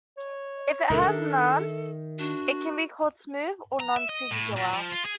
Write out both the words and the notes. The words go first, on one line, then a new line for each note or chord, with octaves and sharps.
If it has none, it can be called "smooth" or "non-singular".
C#5
C#2 A#2 D4 A4 A#4 E5
D#3
D4 F#4
A#5
E5
D#5
A2
A#2
F3
F4
G#4